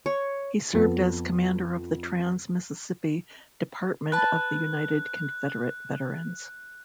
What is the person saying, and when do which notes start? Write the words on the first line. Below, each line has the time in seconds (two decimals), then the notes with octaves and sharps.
He served as commander of the Trans-Mississippi Department of the United Confederate Veterans.
0.06 C#5
0.73 F2 B3 A4
4.12 B4 A5 F#6